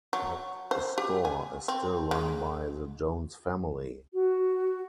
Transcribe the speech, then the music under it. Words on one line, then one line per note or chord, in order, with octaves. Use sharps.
That store is still run by the Jones family.
F#3
C5
G4
G#5
C4
G#3
F#4